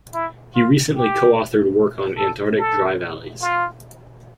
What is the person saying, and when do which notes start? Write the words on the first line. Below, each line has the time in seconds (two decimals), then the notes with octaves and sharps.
He recently co-authored work on antarctic dry valleys.
0.14 E4
0.55 F4
0.96 G4
2.18 A4
2.59 A4
3.42 F4